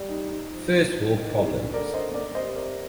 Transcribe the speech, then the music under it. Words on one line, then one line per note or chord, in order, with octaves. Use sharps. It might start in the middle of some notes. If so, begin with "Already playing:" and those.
First world problems.
Already playing: G3
D#4
D#4
F3
D#3
D3 A#4 D5
C5 D#5
A#4 D5
C3 C5 D#5
C5
A#4 D5